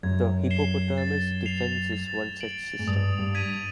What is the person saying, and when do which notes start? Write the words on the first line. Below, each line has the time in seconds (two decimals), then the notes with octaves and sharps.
The Hippopotamus Defence is one such system.
0.03 F#2 G#6
0.50 C7 E7 G7
0.98 A6
1.46 C7 F7
1.93 A6
2.41 D7 F#7
2.79 G#2
2.87 G2 D#6
3.19 G2
3.35 G#6 B6 D#7